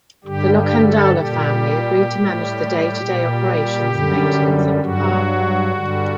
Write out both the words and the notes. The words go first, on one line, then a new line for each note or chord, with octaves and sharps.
The Lokhandwala family agreed to manage the day-to-day operations and maintenance of the park.
G2 D3 G3 G4
G4
A4
A#2 G3 G4
A2 G3
A#2 G3
F#2 D3 G3
G2 F#3 F#4
G2 D3 G3